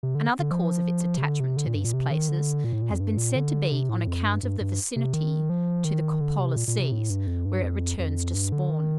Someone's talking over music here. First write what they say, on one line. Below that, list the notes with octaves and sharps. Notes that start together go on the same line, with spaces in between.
Another cause of its attachment to these places has been said to be on account of the vicinity to the Polar seas, where it returns to spawn.
C3
D3
D3
F3
C3
D3
C3
D3
A#2
G2
A#2
C3
D#3
D3
A#2
A2
A#2
F2
G2
A#2
D3
C3
A2
F2
G2
G2
G2
C3
D#3
F3
D#3
D3
C3
A#2
A#2
C3
A2
G2
F2
G2
F2
F2
G2
D3
D#3